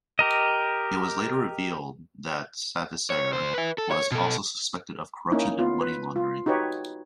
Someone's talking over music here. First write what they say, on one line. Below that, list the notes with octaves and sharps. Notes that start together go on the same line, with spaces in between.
It was later revealed that Savisaar was also suspected of corruption and money laundering.
G4 A#4 D#5
C#5
D2 C5
B4 E5
A4
C#5
B2 A4
A#3 C#4 D#4 E4
B3 F4
B4
F4
D#4 F#4 G4 B4 C#5